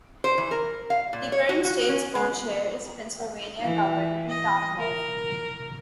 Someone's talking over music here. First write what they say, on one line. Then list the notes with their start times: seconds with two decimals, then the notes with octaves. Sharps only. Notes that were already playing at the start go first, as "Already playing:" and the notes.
The current States' Co-Chair is Pennsylvania Governor Tom Wolf.
0.24 C5
0.38 E3
0.51 A#4
0.90 F5
1.13 A#2
1.32 C#5
1.49 F#4
1.65 F#4
1.89 C#4
2.15 G#3
3.63 E3
4.30 D#5
4.79 A#4